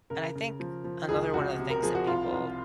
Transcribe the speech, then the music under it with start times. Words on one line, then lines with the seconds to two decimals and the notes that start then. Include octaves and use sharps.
And I think another one of the things that people
0.10 C#3 A#4
0.35 C#3
0.60 F3
0.84 F3
1.09 C#2 G#4
1.34 C#2 F#4
1.59 C3
1.70 A#4
1.83 F3 G#4
1.95 F#4
2.07 C2 F4
2.32 C2